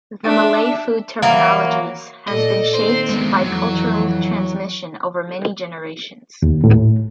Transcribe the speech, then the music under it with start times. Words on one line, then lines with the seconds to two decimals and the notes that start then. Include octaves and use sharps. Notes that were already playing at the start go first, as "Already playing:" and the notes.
The Malay food terminologies has been shaped by cultural transmission over many generations.
0.25 D4 E5
1.22 E3 F#3 A#3
2.28 A#2 A4 D5 D#5
2.75 D#3 A#3 C4 C5
3.10 G#3 B3
3.44 F2 E3 F#3
6.42 D#2
6.64 A2